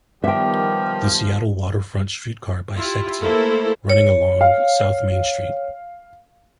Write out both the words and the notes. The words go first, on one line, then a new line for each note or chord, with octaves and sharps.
The Seattle Waterfront Streetcar bisects it, running along S. Main Street.
D#3 F3 G3 B3 G4 E5 G5
E4 F4 G4
A3 A#3 E4 A4 C5
C#5
F5